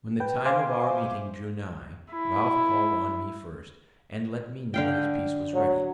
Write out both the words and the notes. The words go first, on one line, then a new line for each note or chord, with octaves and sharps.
When the time of our meeting drew nigh, Ralph called on me first, and let me know his piece was ready.
B4 G5
C5 E5 F5 G#5 C6 D6
E4
D3 F5 G5
F#3